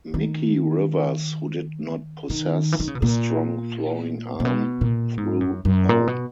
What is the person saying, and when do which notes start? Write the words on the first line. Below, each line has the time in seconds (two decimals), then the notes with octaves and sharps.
Mickey Rivers, who did not possess a strong throwing arm, threw home.
0.14 D#3
2.30 D#3
2.72 E3
2.80 D#3
2.88 C#3
2.95 B2
3.02 A#2
4.40 A#2
4.45 B2
4.81 A#2
5.18 G#2
5.41 F#2
5.65 F#2
5.89 A#2
6.07 B2